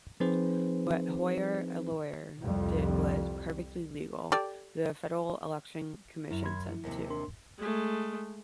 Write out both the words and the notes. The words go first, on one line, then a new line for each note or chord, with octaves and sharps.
What Hoyer, a lawyer, did was perfectly legal, the Federal Election Commission said, too.
F3 C4 D#4 G#4 B4 C5
C2 F2 G3
G4 A4 D5
F#2 E4
B5 C6 G#6
F3 E4
D#2 A2 C3
D4 A#4 C6
G#3 A3